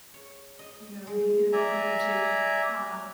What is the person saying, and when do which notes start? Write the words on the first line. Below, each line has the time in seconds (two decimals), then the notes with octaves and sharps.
you know, the inability to, uh,
0.14 C#5
0.59 D#5
1.07 G#3
1.53 D5 E5 G#5 A#5